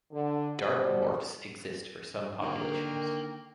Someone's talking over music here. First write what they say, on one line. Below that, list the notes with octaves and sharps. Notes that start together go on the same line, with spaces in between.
Dark morphs exist for some populations.
D3
B2 G3 C5
D3 D#3 A#3 G5